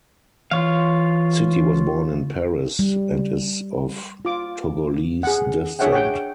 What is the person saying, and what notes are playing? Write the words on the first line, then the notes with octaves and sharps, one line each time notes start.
Sitti was born in Paris and is of Togolese descent.
E3 F4 C#5 F5
G3
F4 D6
G#4 F#5
D4 G#4 C#5 E5 F#5 G5
C#5 F#5 G5